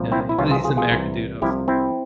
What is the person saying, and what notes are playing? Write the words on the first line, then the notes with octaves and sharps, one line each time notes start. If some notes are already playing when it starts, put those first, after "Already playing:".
Yeah, he's a he's American dude, also.
Already playing: C2 A#2 F3
C4 E4
E4
C2 C3 E3 C#4 F4
F4 G#4
F4 G#4
F4 G#4
C2 C3 E3
C2 C3 F3 E4 G4
C4 E4